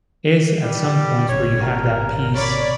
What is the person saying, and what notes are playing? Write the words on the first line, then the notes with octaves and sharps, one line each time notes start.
is at some points where you have that peace,
G3
G#1 C3 C#5
A#4
C#5 D5 B5